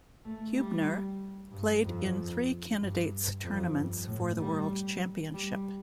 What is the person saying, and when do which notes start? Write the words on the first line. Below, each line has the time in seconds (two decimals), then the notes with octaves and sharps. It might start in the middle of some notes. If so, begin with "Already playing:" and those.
Hubner played in three Candidates Tournaments for the World Championship.
0.25 A3
0.56 G3
1.52 G2
1.84 F2
2.79 G2
3.44 F2
3.75 G2
4.07 A2
4.39 G3
5.34 G3